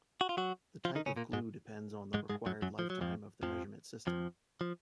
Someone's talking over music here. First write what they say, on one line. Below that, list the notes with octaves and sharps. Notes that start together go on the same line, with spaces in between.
The type of glue depends on the required lifetime of the measurement system.
F#4
F4
F#3 F#4
F3 F4
D#3 D#4
C#3 C#4
A#2 A#3
G#2 G#3
G#2 G#3
G#2 G#3
F#2 F#3
F#2 F#3
F3
F#3
F2 F3
F2 F3
F2 F3
F3